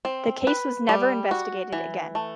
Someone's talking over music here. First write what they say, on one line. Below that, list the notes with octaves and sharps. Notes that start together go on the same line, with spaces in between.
The case was never investigated again.
C4
B4
G3
F#4
E3
A3